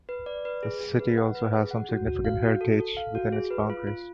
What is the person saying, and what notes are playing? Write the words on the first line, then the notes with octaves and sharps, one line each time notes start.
The City also has some significant heritage within its boundaries.
B4
D5
B4
G#4
G#4
B4
F#5
B4
G#4
F#5
F#4
F#4
F5
F#4
A4
A4
F5
F#4
G#4
B4
F4
F4